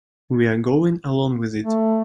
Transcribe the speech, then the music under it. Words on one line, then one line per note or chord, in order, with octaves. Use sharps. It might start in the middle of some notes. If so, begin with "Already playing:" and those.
We are going along with it.
A3